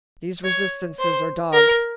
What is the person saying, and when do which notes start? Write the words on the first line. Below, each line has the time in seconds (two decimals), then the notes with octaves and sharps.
These resistances are dogged.
0.44 C#5
0.99 C5
1.53 A#4